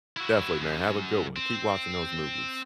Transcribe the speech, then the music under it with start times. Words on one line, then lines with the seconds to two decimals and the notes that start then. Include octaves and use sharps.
Definitely, man, have a good one. Keep watching those movies.
0.17 E4 F#4
0.61 F#2
1.36 C4